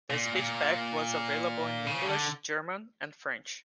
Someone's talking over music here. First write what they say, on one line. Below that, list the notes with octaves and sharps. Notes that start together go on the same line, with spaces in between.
The speech pack was available in English, German and French.
A#2
A#2
C#3
D3